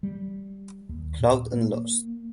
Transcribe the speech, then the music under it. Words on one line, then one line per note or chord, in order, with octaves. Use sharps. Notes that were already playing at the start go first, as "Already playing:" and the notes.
Cloud and lost.
G3
D#2
A#2
A#3